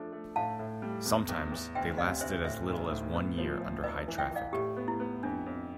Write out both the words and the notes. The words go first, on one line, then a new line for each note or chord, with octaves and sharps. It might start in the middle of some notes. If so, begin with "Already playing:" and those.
Sometimes they lasted as little as one year under high traffic.
Already playing: F3 A3 D4
A3
A2 F5 A5
A2
G3
E2
E2
E2
D2 E5 G5
C3 D5 F5
D2 C5 E5
A2 C5 E5
B1
A2
B3
F3
F3
F1 B4 D5
E3
E5 G5
E3
D5 F5
A2 G4
B3
E4
B3
F2 D4
F2